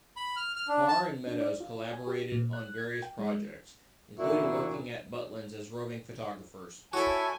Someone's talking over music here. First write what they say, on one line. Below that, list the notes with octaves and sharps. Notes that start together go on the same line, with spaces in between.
Parr and Meadows collaborated on various projects, including working at Butlin's as roving photographers.
B5
F6
F6
D4
A5
D4
D5
F4
G#5
G4
A#2
F#6
G#6
G5
G#3
E2 A#2 D4 E4 F#4 E5
E4 F#4 A4 C#5 G#5 A5